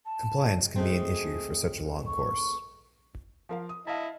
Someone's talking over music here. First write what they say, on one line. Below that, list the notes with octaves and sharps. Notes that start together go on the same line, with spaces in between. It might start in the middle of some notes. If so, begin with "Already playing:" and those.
Compliance can be an issue for such a long course.
A5
G#3 A3 C4 G#4
C#6
F3 A#4 F5
D#6
E4 D#5 F5 A5